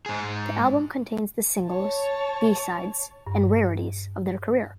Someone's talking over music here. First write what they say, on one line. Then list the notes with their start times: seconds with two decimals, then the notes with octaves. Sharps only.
The album contains the singles, b-sides and rarities of their career.
0.06 G#2 G#4
1.66 C#5 A5
3.27 G2